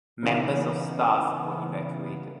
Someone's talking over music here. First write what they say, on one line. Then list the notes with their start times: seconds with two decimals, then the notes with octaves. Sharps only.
Members of staff were evacuated.
0.23 C#3 E3 A#3 B3 D#4